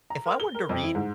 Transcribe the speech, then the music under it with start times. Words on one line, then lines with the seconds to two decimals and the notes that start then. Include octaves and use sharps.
If I wanted to read,
0.10 A#5
0.25 A#4
0.40 G7
0.55 A#4
0.69 F2
0.83 E4
0.95 G#2